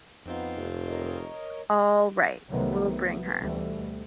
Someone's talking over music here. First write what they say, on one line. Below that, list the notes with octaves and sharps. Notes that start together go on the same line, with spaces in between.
All right; we'll bring her!
F2 B3 C4 D#4 F4
F1
A#4 C#5 D#5
C2 C3 D#3 F#3 A3 B3
A3 B3
D2 B2 E3 G3 A3